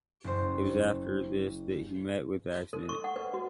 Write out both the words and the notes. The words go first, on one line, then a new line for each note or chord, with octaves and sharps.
It was after this that he met with the accident.
F#1 C5
A4
C#6
F#5
B4
F#4